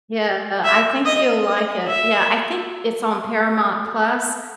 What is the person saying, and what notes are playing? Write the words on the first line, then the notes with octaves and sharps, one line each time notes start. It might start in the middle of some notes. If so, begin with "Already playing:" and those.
Yeah, I think you'll like it. Yeah, I think it's on Paramount+.
E5
D#5
D#5
E5